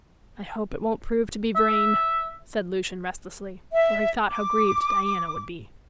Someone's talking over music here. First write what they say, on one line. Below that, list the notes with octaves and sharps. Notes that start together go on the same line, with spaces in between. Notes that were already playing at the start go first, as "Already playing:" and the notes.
"I hope it won't prove to be Vrain," said Lucian restlessly, for he thought how grieved Diana would be.
E5
E5
D6